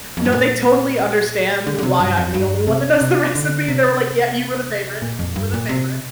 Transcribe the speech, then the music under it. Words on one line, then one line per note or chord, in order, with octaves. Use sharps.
No, they totally understand why I'm the only one that knows the recipe, they were like, "Yeah, you were the favorite. You were the favorite."
F2
G2
A#2
D3
D3
C3
G2
F2
G2
C3
C3
D3
C3
A#2
F2
G2
A#2
C3